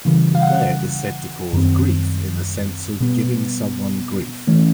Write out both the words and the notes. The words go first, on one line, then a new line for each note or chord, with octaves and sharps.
The player is said to cause "grief" in the sense of "giving someone grief".
C#3 E3 G3
F5
F#5
F#2 D#3 G3 C4
B2 G3 B3
E3 A3 C#4